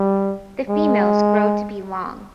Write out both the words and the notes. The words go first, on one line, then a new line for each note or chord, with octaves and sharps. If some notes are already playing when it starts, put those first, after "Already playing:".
The females grow to be long.
Already playing: G3
G#3